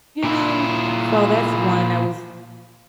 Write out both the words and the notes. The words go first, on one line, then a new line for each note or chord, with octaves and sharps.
You know? So, that's one that was
A#2 E4